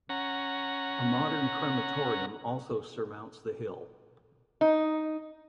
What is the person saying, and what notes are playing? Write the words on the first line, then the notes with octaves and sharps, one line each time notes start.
A modern crematorium also surmounts the hill.
C#4 F#5 A#5
D#4